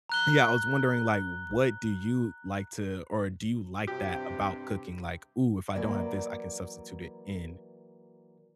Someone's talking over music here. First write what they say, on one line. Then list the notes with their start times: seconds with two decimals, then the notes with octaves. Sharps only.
Yeah, I was wondering, like, what do you like to or do you like that about cooking? Like, "Ooh, if I don't have this, I can substitute it in,
0.09 A#5 F#6 G7
3.87 G2 C3 G4
5.75 E3 F#3 A#3 D5